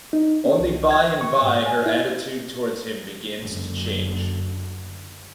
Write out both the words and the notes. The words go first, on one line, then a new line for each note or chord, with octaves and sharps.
Only by and by her attitude towards him begins to change.
D#4
C#4
C2
G#6
C#6
G#2
G#5
E4
F#1 F#2 D3